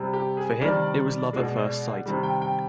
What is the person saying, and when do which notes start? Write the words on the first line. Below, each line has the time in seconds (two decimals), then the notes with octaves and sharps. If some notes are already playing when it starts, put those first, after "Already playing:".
For him, it was love at first sight.
Already playing: C3 G3
0.13 G4
0.37 G#4
0.61 C3 D#3 G3 D5
1.33 B2 G#3
2.06 C3 D#3 G3
2.23 G5
2.42 G5